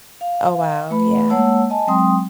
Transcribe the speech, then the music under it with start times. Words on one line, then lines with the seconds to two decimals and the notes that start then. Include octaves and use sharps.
Oh, wow, yeah.
0.21 F5
0.91 A3 B4 B5
1.30 G#3 A#3 C#5 F#5 A5 E6
1.70 D#5 G#5 A5
1.87 F#3 G#3 C4 G5 C6 D#6